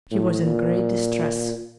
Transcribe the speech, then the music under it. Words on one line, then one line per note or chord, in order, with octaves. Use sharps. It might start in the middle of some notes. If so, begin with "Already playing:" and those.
She was in great distress.
A2
A#2